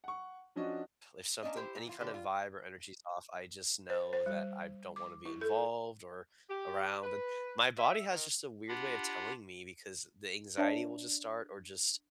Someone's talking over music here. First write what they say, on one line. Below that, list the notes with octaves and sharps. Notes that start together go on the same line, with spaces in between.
If something any kind of vibe or energy's off, I just know that I don't wanna be involved or around, and my body has just a weird way of telling me because the anxiety will just start or just
F#5 C#6
F3 C#4 D4 F#4 D#5
A#3 C#4 D4 D#5
E4 G4 C5
A#2
E3 F4
D3 G4 B4
F4
C5
C5
G3
D6
E4
A4
G4
B4
E5
D#3
D4 F4 G4 F#5 B5
D4 B4 C#5 D5 E5 A5